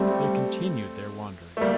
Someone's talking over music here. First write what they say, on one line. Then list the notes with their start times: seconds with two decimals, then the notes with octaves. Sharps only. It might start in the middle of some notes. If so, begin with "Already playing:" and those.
They continue their wandering.
Already playing: G3 A3 C4
1.57 A3
1.61 G3 A#3